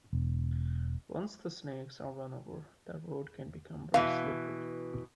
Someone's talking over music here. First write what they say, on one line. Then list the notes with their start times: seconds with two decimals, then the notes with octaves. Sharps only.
Once the snakes are run over, the road can become very slippery.
0.13 E1
3.94 B2 E3 F5